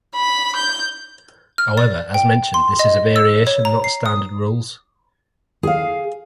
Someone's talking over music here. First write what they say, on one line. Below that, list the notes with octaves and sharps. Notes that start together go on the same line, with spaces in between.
However, as mentioned, this is a variation, and not standard rules.
B5
G6
F6
D5
G5
C6
D#5
E6
C#5
A#5
C7
D#6
G#4 F5